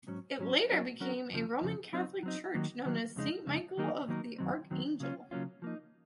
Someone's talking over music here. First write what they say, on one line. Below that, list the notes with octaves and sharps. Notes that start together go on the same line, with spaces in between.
It later became a Roman Catholic church known as "Saint Michael of the Archangel".
G#2 F#3 C#4
G#2 F#3 C#4
F#3 C#4 F#4 A#4
F#3 C#4 F#4 A#4
F2 C#3 F3
F2 C#3 F3
F#3 C4 D#4
F#3 C4 D#4
D#3 F#3 A#3
D#3 F#3 A#3
F2 C#3 G#3 D#4
F2 C#3 G#3 D#4
D#3 F#3 A#3 D#4 A#4
D#3 F#3 A#3 D#4 A#4
F#2 D#3 F#3 C4
F#2 D#3 F#3 C4
C#3 F#3 A#3 C#4 F4
C#3 F#3 A#3 C#4 F4
F3 A#3 D#4